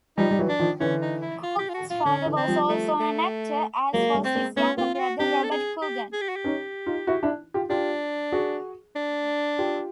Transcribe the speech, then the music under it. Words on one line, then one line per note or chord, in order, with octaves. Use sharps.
Coogan's father was also an actor, as was his younger brother, Robert Coogan.
F3 G3 D#4
G3
E3 F#3
D4
D#3 F3
D3 E3 C#4
D#4
E4
F4
G4
F4
F#4
F4
D3 C#4
D3 E3
C4
F3 G3
A3
A3
F#3 G#3 A#3
G3 A3
C4
G#3 A#3
A3 B3 C#4
A#3 C4 F4
F4
F#4
C4 D4 G4
A4
G#4
G4
G#4
G4
F#4
G4
C#4 D#4
D#4 F4
E4 F#4
D4 E4
F4 G4
D4 F4 G4
F#4 G#4
D4
F4 G4